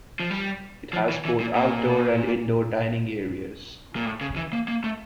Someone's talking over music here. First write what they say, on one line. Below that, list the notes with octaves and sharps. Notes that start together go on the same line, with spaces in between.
It has both outdoor and indoor dining areas.
F3
G3
F3
E3
E3
A#2
A#2
A#2
A2
C#3
E3
A#3
A#3
A3